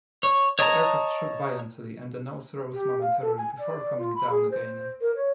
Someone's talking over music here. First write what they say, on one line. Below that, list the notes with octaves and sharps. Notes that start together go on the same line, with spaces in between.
The aircraft shook violently and the nose rose momentarily before coming down again.
C#5
C#5 D#5 A5 A#5
G4
F5
A4
G#5
D5
F4
B5
G#4
C5
A#4
C#5